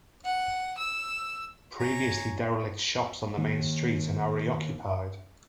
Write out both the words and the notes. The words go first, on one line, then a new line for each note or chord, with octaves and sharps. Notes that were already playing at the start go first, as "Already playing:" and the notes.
Previously derelict shops on the main street are now reoccupied.
F#5
E6
C#5 G#5 A#5
D#3 A#3